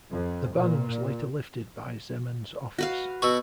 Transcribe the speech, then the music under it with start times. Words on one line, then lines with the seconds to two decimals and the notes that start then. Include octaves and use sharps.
The ban was later lifted by Zeman's office.
0.10 F2
0.52 A#2
2.79 F#4 B4 F5
3.22 B2 F#4 C#6 E6